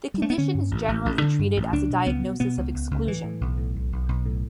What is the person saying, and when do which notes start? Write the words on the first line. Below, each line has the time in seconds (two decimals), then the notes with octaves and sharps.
The condition is generally treated as a diagnosis of exclusion.
0.14 G3
0.22 A3
0.30 B3
0.38 D3 C#4
0.54 G2
0.71 A1
0.88 A1
1.05 A1
1.22 D3
1.39 G2
1.57 A1
1.73 C#2 D4
1.90 B2
2.06 C#2 B3
2.23 B2
2.40 B2 B3
2.57 C#2
2.74 C#2
2.91 C#2
3.07 A2 E3
3.24 A2
3.41 B1
3.57 A2
3.75 B1
3.92 B1
4.09 B1
4.26 A2